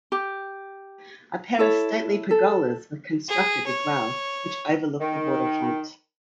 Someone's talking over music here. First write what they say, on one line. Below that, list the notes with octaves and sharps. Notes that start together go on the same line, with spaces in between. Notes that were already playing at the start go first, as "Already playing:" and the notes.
A pair of stately pergolas were constructed as well, which overlook the waterfront.
G4
E4 A4 C#5
A4
G#4
C#5
D#3